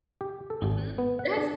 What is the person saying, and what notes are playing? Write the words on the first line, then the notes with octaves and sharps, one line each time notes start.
Mhm. That's
G4
A4
G#1
B3
F#5
D4